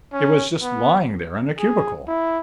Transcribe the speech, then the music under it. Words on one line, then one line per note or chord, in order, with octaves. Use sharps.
It was just lying there in a cubicle.
C#4
B3
G#4
E4